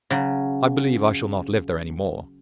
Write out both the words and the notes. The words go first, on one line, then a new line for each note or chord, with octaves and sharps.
I believe I shall not live there any more.'
C#3 F#3